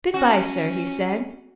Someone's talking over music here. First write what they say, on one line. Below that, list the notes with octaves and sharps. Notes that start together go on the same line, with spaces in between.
'Good-bye, sir,' he said.
C#4 F#4